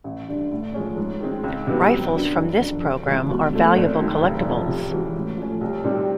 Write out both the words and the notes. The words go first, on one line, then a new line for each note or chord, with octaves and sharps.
Rifles from this program are valuable collectibles.
A1
G2 D3
A2
F3 G#3 C#4
G#2
D#3 G#3 C4
C#2
C3 D#3 F#3 B3
F#2
D3 F#3
F#1
F2 D3
F1
D#2 C#3 E3 G#3
B2
F#3 A3 C4
G#1
F#2 D#3
F1
F2 C#3 F3
C3
E3 G#3 C#4 F#4
A2
F3 A3 C#4
C2
C3 D#3 G3 C4